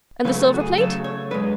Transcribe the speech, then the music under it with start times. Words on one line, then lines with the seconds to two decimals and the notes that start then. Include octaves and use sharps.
"And the silver plate?"
0.25 C#3 F#3 A3 B4
0.43 A4
0.54 F#4
0.60 G#4
0.78 C#3 F#3 A3 A4
1.04 C#5
1.31 D3 G#3 B4